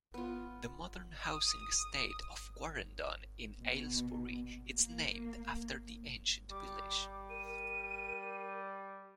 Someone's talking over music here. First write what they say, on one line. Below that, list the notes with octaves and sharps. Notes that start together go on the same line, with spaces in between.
The modern housing estate of Quarrendon in Aylesbury is named after the ancient village.
B3 F4
D#6
B2
A#3
G3 D6
A#4 D#7